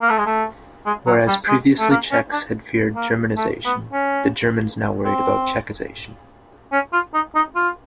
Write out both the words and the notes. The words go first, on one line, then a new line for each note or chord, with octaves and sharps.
Whereas previously Czechs had feared Germanization, the Germans now worried about Czechization.
A#3
A3
G#3
A3
G#3
F#3
G3
G#3
A3
A#3
C#4
D4
A#3
A3
B3
C#4
C4
C#4
F4
D#4
D#4
F4